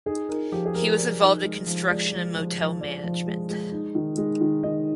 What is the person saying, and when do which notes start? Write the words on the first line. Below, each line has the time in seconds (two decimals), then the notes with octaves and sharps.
He was involved in construction and motel management.
0.06 D#4 G#4
0.29 D#4 A#4
0.52 F3 G4
0.66 G#4
0.75 F3 A#4
0.97 F3 D5
1.20 D#4
1.44 G#3
1.67 F3
1.89 G#3 D5
2.12 F3
2.35 F3
2.58 F3
2.81 F3 D5
3.04 F3
3.26 G#3
3.49 G#3
3.71 D#4
3.95 D#3
4.17 G#3
4.41 D#3
4.63 D#3 D#5